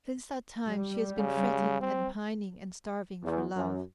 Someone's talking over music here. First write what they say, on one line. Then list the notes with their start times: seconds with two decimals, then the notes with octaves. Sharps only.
Since that time she has been fretting and pining and starving for love.
0.68 G3
1.17 C#3
1.81 C4
3.23 E2
3.55 F#2